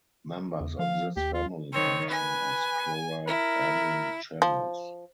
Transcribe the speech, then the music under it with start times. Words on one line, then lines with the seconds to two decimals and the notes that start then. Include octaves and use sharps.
Members of this family function as chloride anion channels.
0.60 E2
0.79 F3 F5
1.17 D#2 G4
1.34 F4
1.73 D#3 C4 C#5
2.10 B4 G#5
3.27 E4 A#4
4.42 F3